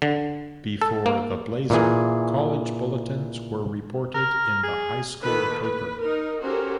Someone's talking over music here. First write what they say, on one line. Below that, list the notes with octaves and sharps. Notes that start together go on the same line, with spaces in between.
Before "The Blazer", college bulletins were reported in the high school paper.
D3
A4
A#3
A#2 E3 G#4
A#4
G#4
D#3 A#3 A4 B4
B4
D#4 A#4
C#4 F#4 G4 A4 A#4 C5